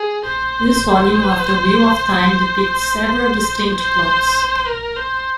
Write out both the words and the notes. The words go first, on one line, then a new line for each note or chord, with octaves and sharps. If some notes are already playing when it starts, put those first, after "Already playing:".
This volume of "The Wheel of Time" depicts several distinct plots.
Already playing: G#4
C5
C5
A#4
C5